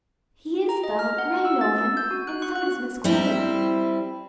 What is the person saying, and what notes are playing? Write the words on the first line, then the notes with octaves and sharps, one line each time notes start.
"He is, though; and I know him, and so does Miss Coleman."
A#5
D#5
F6
F#5
E6
A6
E6
G6
F#4
F#6
C#6
F#6
G3 C4 E4